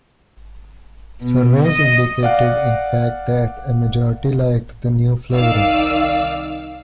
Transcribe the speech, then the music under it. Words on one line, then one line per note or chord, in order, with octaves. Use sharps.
Surveys indicated, in fact, that a majority liked the new flavoring.
B2
D#5
D5 F5 F#5
C2 D#3 D5 F5 E6